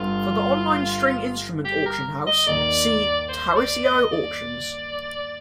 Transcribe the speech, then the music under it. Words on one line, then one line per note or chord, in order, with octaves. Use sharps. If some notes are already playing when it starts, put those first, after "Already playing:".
For the online string instrument auction house, see Tarisio Auctions.
Already playing: G1 G2 F4
G4
A#4
D#5
D#2 D#3 A#3 D5
C5
C5
D5
D#5
D5